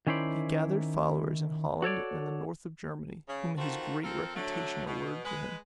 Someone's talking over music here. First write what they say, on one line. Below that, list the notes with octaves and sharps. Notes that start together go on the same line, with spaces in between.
He gathered followers in Holland and the north of Germany whom his great reputation allured to him.
D#3 C#4 E4 C5 D5
F#4 A4 C#5 D5
C#3
D#3 F3 C4 F4 F#4 A4
F3 C4 F4 A4 A#4
D3 F#3 A3
B2
G#3 B4